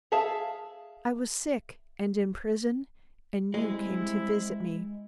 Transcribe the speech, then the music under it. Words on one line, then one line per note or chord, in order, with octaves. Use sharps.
I was sick, and in prison, and you came to visit me!'
G#4 E5 F5 A5
G3 G#3 C4 E4